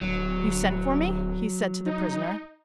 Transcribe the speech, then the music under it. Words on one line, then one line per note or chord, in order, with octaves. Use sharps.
"You sent for me?" he said to the prisoner.
D1 F#3
D#4